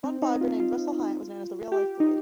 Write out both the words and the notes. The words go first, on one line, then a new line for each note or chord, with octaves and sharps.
One barber named Russell Hiatt was known as "the real-life Floyd".
C4
D#4
F4
F4
G4
D#4